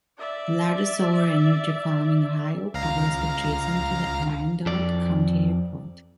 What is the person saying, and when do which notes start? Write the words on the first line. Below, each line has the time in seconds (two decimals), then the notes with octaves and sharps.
The largest solar energy farm in Ohio covers adjacent to the Wyandot County Airport.
0.18 D5 E5
2.74 C#2 F5 A#5
4.66 F2 D5